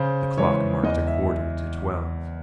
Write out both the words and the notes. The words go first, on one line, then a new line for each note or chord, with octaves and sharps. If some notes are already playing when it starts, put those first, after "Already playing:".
The clock marked a quarter to twelve.
Already playing: C#3 C5
E3 G#3 C#5
E2 D#5
E5